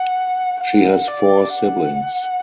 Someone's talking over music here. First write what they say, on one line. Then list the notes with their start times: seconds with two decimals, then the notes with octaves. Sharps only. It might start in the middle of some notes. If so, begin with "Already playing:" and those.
She has four siblings.
Already playing: F#5
0.60 F#5
1.08 D5
1.56 F#5